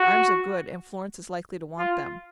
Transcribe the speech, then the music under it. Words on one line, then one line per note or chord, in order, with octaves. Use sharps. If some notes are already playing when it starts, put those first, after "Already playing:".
Arms are good, and Florence is likely to want them.
Already playing: F#4
F4